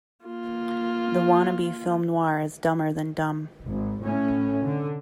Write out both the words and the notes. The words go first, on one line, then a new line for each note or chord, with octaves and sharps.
The wannabe film noir is dumber than dumb.
A#3 F4
G#1
A2 C#4
D3